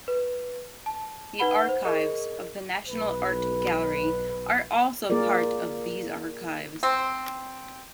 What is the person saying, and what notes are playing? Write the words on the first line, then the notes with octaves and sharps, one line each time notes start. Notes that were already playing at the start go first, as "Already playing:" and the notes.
The archives of the National Art Gallery are also part of these archives.
B4
A5
D#4 B4 F#5 B5 G7
C5
G#4 A#4 D#5
B1 B4
A#3 F4 G#4 A#4 D5
C4